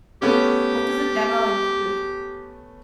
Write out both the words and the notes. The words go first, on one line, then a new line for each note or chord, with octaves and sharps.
What does a demo include?
A3 B3 C#4 G4